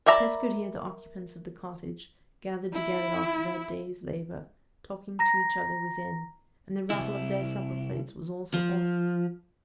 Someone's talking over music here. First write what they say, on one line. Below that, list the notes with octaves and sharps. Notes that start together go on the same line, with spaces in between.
Tess could hear the occupants of the cottage--gathered together after their day's labour--talking to each other within, and the rattle of their supper-plates was also audible.
A#4 D5 E5 A#5 B5
E4
A#5 A#6
C2 E4
F3